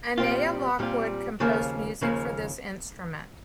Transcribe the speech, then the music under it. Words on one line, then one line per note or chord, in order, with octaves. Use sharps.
Annea Lockwood composed music for this instrument.
A#2 G3 C4 F4
A#2 G3 C4 F4
D#2 C#3 F3 A#3
D#2 C#3 F3 A#3